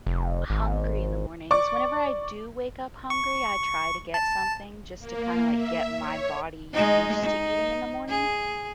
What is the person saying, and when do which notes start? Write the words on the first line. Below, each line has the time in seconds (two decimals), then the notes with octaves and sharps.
hungry in the mornings; whenever I do wake up hungry, I try to get something just to kinda, like, get my body used to eating in the morning.
0.07 F1
0.50 G#1
1.51 D5 C#6 D6
3.10 C#6
4.14 A5
4.98 A#3
5.52 E5
5.95 C#5
6.73 G#3 D#4
7.23 D#4
8.09 G#4